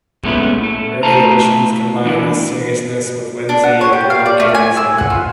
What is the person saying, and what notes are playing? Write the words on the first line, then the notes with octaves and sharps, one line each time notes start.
Early editions combine this seriousness with whimsy and parochialism.
A#2 G#3 A3 B3 C#4 E4
A3
A3 E4 F4 F5 A5 A#5
E3 D4 E4
D4
F#5
C#5
G4
F5
D5
A3
G#5
E6
F#5
F4